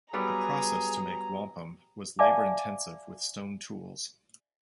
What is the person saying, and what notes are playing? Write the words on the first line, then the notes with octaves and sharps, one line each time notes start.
The process to make wampum was labor-intensive with stone tools.
F#3 G3 B3 G#4 A#5
D5 E5 F5 G#5 A5 D6